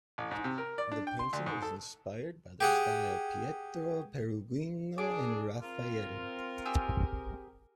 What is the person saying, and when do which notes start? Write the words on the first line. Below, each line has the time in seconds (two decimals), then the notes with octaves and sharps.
The painting was inspired by the style of Pietro Perugino and Raphael.
0.18 A1
0.31 G#2
0.44 C3
0.58 A#4
0.78 D5
0.92 D4
1.07 G5
1.19 C6
1.33 D2
1.46 G#2
1.62 A4
2.61 G4 G#4 F#5
4.98 D4 G#4 D6
5.63 C4 F4 A#4
6.65 G4 G#4 E6